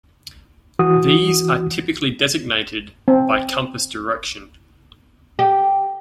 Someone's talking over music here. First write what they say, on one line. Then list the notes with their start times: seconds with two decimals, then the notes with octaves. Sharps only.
These are typically designated by compass direction.
0.79 E3 F#4 D#6
3.08 C4
5.39 G4